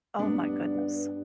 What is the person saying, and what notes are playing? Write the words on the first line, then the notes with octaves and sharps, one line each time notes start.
Oh my goodness.
G2 B3 D4